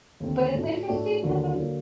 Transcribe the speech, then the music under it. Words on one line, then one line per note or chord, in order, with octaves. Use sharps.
But it's interesting 'cause it's
D#2 D3 A3 C4
A2 A3 D4 F#4
A2 A3 D4 F#4
D#2 D3 F#3 A#3
D3 F#3 A#3